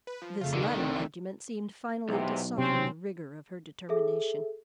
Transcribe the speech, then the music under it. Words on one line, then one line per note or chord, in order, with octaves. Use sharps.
This latter argument seemed finally to soften the rigor of her determination.
B4
F3
F2 C#3 A3 F4
D#2 B2 D3 D#3
C2 A3 C4
B1 E2 C3
C3 C4 C#4
G#4 A4 E5